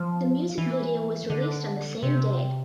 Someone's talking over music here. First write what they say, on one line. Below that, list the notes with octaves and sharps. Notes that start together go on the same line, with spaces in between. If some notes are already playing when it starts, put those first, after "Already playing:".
The music video was released on the same day.
Already playing: F3
E3
D3
C3